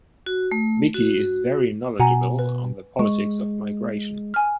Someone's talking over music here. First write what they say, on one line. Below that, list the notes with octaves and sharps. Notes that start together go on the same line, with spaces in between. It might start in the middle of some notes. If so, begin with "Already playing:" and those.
Vicky is very knowledgeable on the politics of migration.
F#4
A3
F#4
B2 F#5 G#5 A#5
B4
G#3 C#6
G#5 F6